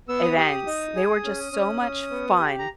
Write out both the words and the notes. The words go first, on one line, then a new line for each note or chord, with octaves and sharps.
events. They were just so much fun,
B3 E6
D#6
G4 D#6
D#4
G#4
C#4
C#4
C#4
B3
G4
A#5